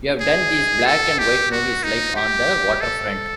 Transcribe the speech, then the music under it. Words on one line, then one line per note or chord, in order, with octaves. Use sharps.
You've done these black-and-white movies like "On the Waterfront".
G#4
A4
G4
F#4
D#4
G4
A4